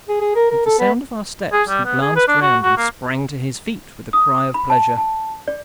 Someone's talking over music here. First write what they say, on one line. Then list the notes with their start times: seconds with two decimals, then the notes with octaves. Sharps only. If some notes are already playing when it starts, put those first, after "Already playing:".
At the sound of our steps he glanced round and sprang to his feet with a cry of pleasure.
0.09 G#4
0.21 G#4
0.36 A#4
0.50 A#4
0.66 A4
0.79 B3
1.53 G#4
1.69 G3
1.85 B3
2.02 G#4
2.16 B4
2.28 D4
2.42 F#4
2.63 F#4
2.77 A#3
4.13 D#6
4.54 B5
4.70 A5
4.98 A5
5.48 D5